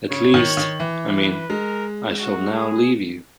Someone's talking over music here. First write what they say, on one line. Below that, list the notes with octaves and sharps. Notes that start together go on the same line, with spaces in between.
At least, I mean, I shall now leave you.
C#3 C#5
D#3
D#3
E3
B4
G#3 A#4
F#4
G#4